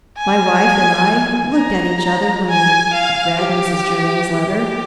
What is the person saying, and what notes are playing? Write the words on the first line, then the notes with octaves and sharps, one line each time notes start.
My wife and I looked at each other when we had read Mrs. Germaine's letter.
G#5
A#5
G#5
F5
G4
G4